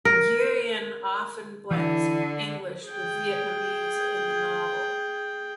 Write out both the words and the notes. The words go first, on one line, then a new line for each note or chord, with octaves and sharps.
Nguyen often blends English with Vietnamese in the novel.
A#4
D3 E3 E4
G#4 G5